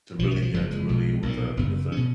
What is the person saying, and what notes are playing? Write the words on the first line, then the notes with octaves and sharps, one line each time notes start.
To really, uh, to really, what's that, I think it said
B1 B2 F3
D#3
F#3
F3
F#1 F2 C#3 F#3
G#3
B1 B2
B1 A#2
F#1 F#2 C#3 B3
B2 C#4